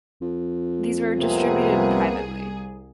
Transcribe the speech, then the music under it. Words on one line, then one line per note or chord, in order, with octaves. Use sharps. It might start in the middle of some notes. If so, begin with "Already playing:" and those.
These were distributed privately.
F2
C2 C3 A#3 B3 G#4